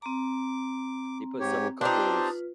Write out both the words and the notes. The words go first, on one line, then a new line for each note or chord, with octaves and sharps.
they put several couples
C4 A#5 D6
G#2 G4 C#5
C4 D4 D#4 F4 G4 B4 C5